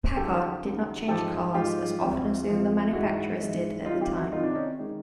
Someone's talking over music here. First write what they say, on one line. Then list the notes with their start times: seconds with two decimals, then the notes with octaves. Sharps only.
Packard did not change cars as often as other manufacturers did at the time.
0.16 D#2 C#3 F#3 G4 A4
0.62 D#2 C#3 F#3
1.08 G#2 F3 G#3 G4 A4
1.54 G#2 F3 G#3 F4 G4
2.02 D2 C3 F3 G#3
2.47 D2 C3 F3 G#3
2.93 G#2 E3 G#3 E4 F#4
3.39 G#2 E3 G#3
3.85 C2 C3 D#3 D#4 F4
4.01 F4 G4
4.16 E4 F#4
4.32 C2 C3 D#3 D#4 F4
4.43 D4
4.55 C#4 D#4
4.79 D#3 G#3